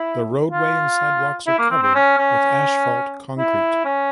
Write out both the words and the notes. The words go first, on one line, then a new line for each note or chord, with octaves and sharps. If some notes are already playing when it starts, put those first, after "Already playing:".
The roadway and sidewalks are covered with asphalt concrete.
Already playing: E4
F4
E4
A#3
C4
C4
C#4
C#4
E4
C#4